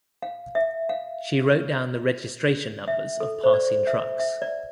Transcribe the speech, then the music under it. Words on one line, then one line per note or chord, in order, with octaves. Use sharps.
She wrote down the registration numbers of passing trucks.
F5
E5
F5
E5
A4
C5
D5
E5
E5
D5